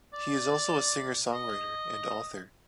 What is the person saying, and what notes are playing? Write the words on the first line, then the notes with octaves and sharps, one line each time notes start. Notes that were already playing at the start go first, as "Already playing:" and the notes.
He is also a singer-songwriter, and author.
D5
D#5